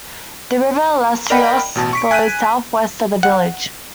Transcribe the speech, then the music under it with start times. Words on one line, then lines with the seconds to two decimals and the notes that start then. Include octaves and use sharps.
The river Larissos flows southwest of the village.
1.30 A#4 D5 D#5 F#5 G5 B5
1.75 A1 B2 A5
1.93 C#6 B6 D7
2.11 G#5 F#6 B6 D#7
3.23 F#5